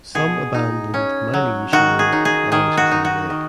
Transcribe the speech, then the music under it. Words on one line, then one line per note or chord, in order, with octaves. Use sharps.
Some abandoned mining machinery lies within the lake.
B2 G#4
D#4
C#4
F#3
D#3 F#4
G#4
D#4
G#4
D#3 G#4
F#4
D#4
F#4
D#3